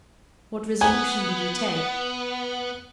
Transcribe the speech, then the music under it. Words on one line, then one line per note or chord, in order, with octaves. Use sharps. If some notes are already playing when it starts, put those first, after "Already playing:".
What resolution did he take?
B3 G#5